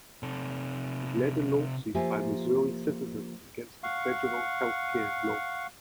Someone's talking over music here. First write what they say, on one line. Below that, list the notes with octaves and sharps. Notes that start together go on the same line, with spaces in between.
He led a lawsuit by Missouri citizens against the federal healthcare law.
C3 A4
F3 A#3 F4 G4 E5 G#5
F5 F#5 C#6